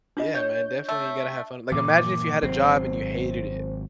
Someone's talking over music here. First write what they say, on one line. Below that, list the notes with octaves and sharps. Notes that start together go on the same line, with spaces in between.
Yeah, man, definitely you gotta have fun like, imagine if you had a job and you hated it,
D4 F4 D#5
C#5 G6
A3
G2 A#2 E3 D6
G#1 F#3 C4 C5